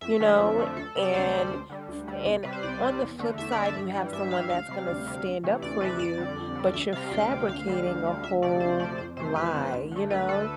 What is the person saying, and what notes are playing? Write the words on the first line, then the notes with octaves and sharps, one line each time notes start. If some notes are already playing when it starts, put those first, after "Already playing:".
you know? And f and on the flip side, you have someone that's gonna stand up for you, but you're fabricating a whole lie, you know?
F2 E5
D3 F3 A3
F2
D3 F3 A3
D2 A4
C3 G3
D5
D2 C5
C3 G3
D2
D3 G3
D2
D3 G3
C2
C3 G3 B4
C5
C2 D5
C3 G3
E2
D3 A3
E2 E5
D3 A3 D5
E5
G2
E3 G3
G2 E5
E3 G3 F5
D2 F5
C3 G3
D2
C3 G3
D2
C3 E3 A3
D2 D5
C3 E3 A3 B4
F2 D5
D3 G3
F2
D3 G3
D2 E5
C3 G3 F5
D2 G5
C3 G3
D2 F5
D3 G3
D2
D3 G3
D2 E5
C3 F3 A3 D5
D2 C5
C3 F3 A3 D5
F2 C5
C3 E3 A3 C5
F2 B4
C3 E3 A3
D2
D3 A3
D2 B4
D3 A3 A4